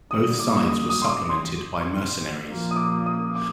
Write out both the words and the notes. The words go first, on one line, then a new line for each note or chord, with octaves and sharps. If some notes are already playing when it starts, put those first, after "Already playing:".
Both sides were supplemented by mercenaries.
D3 G3 A#3 D#6
D6
D#6
D#6
C6
D6
C6
A#2 F3 A#3
D#6
D6
D#6
D6